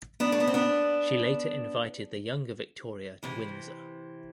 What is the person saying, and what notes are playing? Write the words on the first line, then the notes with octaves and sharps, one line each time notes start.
She later invited the younger Victoria to Windsor.
B3 D4
A3
B3
C4
B3 D4
C3 E3